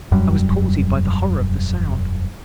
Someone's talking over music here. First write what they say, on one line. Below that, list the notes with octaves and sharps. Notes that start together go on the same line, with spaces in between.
I was palsied by the horror of the sound.
E1 F#2 F#3 G3